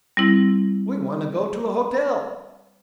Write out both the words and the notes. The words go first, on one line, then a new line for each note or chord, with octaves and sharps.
"We want to go to a hotel."
G3 C4 E4